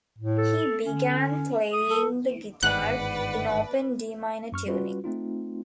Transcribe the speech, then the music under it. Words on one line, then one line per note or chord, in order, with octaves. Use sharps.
He began playing the guitar in open D-minor tuning.
A2
A4
D3 C#4
D#6
A4
G1 G#2 D#3 B4 D5 F#5 F#6
F#2 C#6 F6
G3 C#4 F4 F#4 B4
A3 C4 D#4 F4